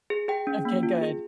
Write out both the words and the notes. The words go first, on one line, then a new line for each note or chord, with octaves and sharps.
Okay, good.
G#4
G#4 G5
C#4
A#3
F4
G#4